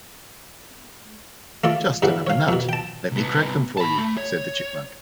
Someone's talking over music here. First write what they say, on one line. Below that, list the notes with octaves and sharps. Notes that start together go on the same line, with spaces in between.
"Just another nut; let me crack them for you," said the chipmunk.
A3 F4 D5
G2 C#3 E3 F#5
C#5 F5
F2 B2
G5 A5
C2 B3
A5 B5
A3
C#5